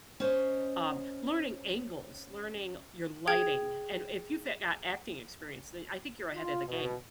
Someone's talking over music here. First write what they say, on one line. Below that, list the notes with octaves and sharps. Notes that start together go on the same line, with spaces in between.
um, learning angles, learning your lighting, and if you fit got acting experience, then I think you're ahead of the game.
C#4 C5 C#5 D#5
G#4 G5 G#6
F4
B2